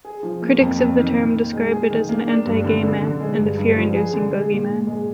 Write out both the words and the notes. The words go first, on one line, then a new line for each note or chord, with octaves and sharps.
Critics of the term describe it as an anti-gay myth, and a fear-inducing bogeyman.
G#4
F3
A#3
F2
F2
D#3
A#2
A#2
G#3
G#4
D#3
A#3
D4
G2
D3
D3
D3
G#3
G2
G2
F3
G#4
D3
G#3
A#2
A#2
G#3